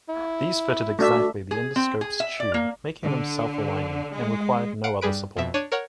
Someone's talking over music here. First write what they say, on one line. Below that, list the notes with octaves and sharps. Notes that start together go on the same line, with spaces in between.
These fitted exactly the endoscope's tube, making them self-aligning, and required no other support.
E4
A3 D4 F#4 E5
G#4
C4
G#4
E5
D5
A#3
D3
G#3
F5 F#5 D7
G2 G3 G#4 B4 D7
F2 B2 E5
D4 C#5 D#7
A#4 C#5 F#5